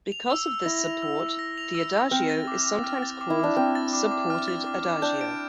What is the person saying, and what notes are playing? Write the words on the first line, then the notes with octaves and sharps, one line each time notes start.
Because of this support the adagio is sometimes called "supported adagio".
F7
E6
E6
E4 A#6
F7
E6
E6
A#6
F7
E6
E6
C4 F6
A6
D6
D6
F6
A6
D6
E4
D4 D6
C4 F6
A6
D6
D6
F6
A6
D6
D6
D4 G6
D7